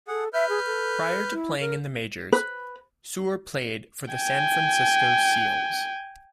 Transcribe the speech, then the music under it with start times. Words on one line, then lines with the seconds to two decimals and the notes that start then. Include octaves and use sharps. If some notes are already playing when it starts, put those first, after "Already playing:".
Prior to playing in the majors, Suhr played for the San Francisco Seals.
0.08 G#4 A4 F#5
0.33 B4 E5 F6 G6
0.49 G#4
0.66 A4
1.32 E4
1.60 A#4
2.32 B4
4.13 G5 G#5